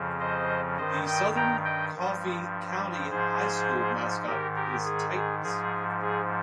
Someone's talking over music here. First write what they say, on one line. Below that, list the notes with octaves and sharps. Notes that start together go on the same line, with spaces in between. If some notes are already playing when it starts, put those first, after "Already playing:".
The Southern Coffey County High School mascot is Titans.
Already playing: F2 C#3 F3
C5 D#5
G2 D#3 C5 D#5
D#5 G5
G5 A#5
D#5 G5
G2 F3
G#2 F3 G#4 C5
G#2 D#3 G4 A#4
G4 A#4
G#4
G#4
G#2 F3 G#4
G#4